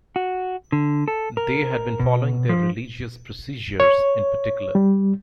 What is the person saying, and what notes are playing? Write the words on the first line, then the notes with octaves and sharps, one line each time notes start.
They had been following their religious procedures in particular.
F#4
D3
A4
A#4
B2
F3
C#5
G3